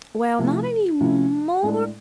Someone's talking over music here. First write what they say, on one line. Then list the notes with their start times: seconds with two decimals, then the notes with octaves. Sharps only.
Well, not anymore
0.39 C3 F3 A3 E4
1.00 C3 F3 A3 E4
1.63 A2 G#3 D4